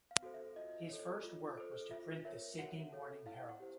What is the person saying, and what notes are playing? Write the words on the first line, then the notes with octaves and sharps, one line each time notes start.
His first work was to print the "Sydney Morning Herald".
F5
F#4 A4 C5
E5
F4 D#5
A4 C#5
F4
A4 C5
F4 E5
A#4 C#5 E5
F#4 F#5
A4 C#5
E4 F5
F#5
G4 C5